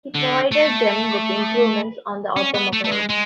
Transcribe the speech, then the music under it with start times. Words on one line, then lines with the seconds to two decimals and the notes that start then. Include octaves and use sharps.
He provided them with improvements on the automobiles.
0.15 D3
0.52 A3
2.36 C#4
2.54 B3
2.73 A3
2.85 A3
2.92 G#3
3.10 G#3